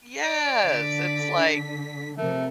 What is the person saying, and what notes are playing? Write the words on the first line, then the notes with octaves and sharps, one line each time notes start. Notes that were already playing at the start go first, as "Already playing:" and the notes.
Yes, it's like
D5
D3 B6
C3 F3 A3 A#4